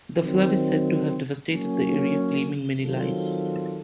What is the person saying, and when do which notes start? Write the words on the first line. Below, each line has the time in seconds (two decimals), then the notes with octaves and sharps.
The flood is said to have devastated the area, claiming many lives.
0.18 D#3 F#3 C4
1.48 F#3 A#3 C#4
2.80 D#3 F#3 C4 F4 A4